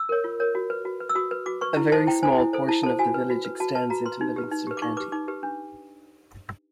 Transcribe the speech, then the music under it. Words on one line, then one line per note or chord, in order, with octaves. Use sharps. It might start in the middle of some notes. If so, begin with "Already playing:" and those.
A very small portion of the village extends into Livingston County.
Already playing: E6
A#4 C#5
F4
A#4 C#5
F#4
B4
F#4
B4
E6
F#4 D#6
B4
F#4 D6
B4 C#6
E4
A4 C5 A5
E4 G5
A4 C5 G#5
E4
A4 C5
E4 A5
A4 C5 A5
F#4 G#5
B4
F#4
B4
F#4 A5
B4 A5
F#4 A#5
B4 C6
D#4
G4 B4
D#4
G4 B4
D6
D#4 C#6
G4 B4 D6
D#4 D6
G4 B4
D4